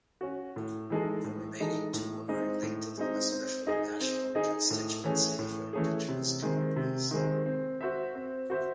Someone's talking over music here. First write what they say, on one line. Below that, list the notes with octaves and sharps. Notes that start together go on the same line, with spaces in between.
The remaining two are elected in a special national constituency for Indigenous communities.
C#4 F#4
A2
E3 G#3 D#4 A4
A2
E3 G#3 D#4 A4
A2
G#3 C4 D#4
A2
G#3 C4 D#4
C4
D#4 G#4 D#5
C4
D#4 G#4 D#5
A2
E3 A3 C#4 G#4
A2
E3 A3 C#4 G#4
C3
D#3 G#3 C4
C3
D#3 G#3 C4
C4
F#4 C5 E5
C4
F#4 C5 E5